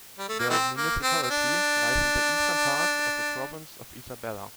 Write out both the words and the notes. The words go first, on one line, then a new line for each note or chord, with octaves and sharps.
The municipality lies in the eastern part of the Province of Isabela.
G3
A3
A#3
E3 A3 C4
A#3
C4
C4
D4